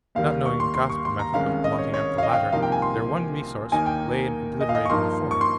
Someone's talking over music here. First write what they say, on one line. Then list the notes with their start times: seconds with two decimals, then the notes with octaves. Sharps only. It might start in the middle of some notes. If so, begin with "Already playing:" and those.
Not knowing the Gospel method of blotting out the latter, their one resource lay in obliterating the former.
0.15 D#2 D#3 G3 F5
0.46 C#6
0.60 C6
0.75 C6
0.90 C#6
1.05 C6
1.19 A#5
1.34 C2 C3 D#3 G#3 C#4 F5
1.64 D#5
1.79 C#5
1.94 C#5
2.18 F5
2.23 D#5
2.29 G5
2.33 F5
2.52 C2 C3 F3 A#3 D#4 F5
2.62 G5
2.72 G#5
2.82 C6
3.72 D#2 D#3 A#3 D#4 G#5
3.86 G5
4.61 D#5
4.69 F5
4.75 D#5
4.86 C#6
4.90 G2 F3 A#3 D#4 C6
5.31 C#6
5.41 C6